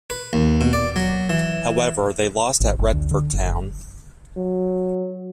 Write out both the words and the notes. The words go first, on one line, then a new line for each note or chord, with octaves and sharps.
However, they lost at Retford Town.
B4
D#2
B2
D5
F#3
E3
G#1
F#1
D2
D3
F#1
F#3